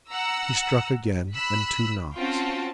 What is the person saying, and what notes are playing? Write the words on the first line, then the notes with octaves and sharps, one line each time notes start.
He struck again, and two knocks.
F#5 A#5 E6
B5 E6 F#6 B6
C4 C#4 F4 F#4 G5 A5